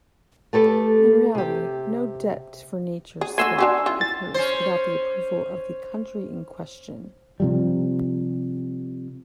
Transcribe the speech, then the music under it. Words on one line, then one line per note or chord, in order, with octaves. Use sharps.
In reality, no debt-for-nature swap occurs without the approval of the country in question.
A3 G4 A4 B4
C3 G4
G#4
A3 D4 F#4 G#5 C6 E6
D4 F#4 G4
E3 C#4 F4
A6
C#4 C5
C3 F3 G3